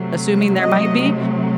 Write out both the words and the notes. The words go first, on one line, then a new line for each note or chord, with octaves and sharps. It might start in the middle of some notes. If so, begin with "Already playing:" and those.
assuming there might be,
Already playing: C3 F#3 A3
D#5